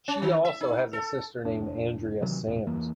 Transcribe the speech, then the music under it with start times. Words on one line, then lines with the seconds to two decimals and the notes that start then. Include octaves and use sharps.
She also has a sister named Andrea Sams.
0.08 C#4
0.22 D#3
0.45 E5
0.61 D#4
0.93 A4
1.45 F1 D4
2.21 C3 D#3 E3 F#3
2.46 G#1 F2 B2
2.67 E2 E3 A#3